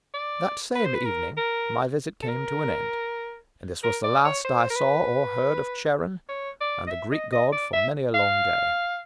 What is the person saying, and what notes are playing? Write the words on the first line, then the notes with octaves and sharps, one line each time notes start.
That same evening my visit came to an end, and this was the last I saw or heard of "Charon" and "the Greek god" for many a long day.
D5
B4
C5
B4
A#4
A#4
A4
A#4
A#4
D5
C#5
C5
A#4
B4
C#5
D5
D#5
E5
D#5
D#5
D5
E5
F5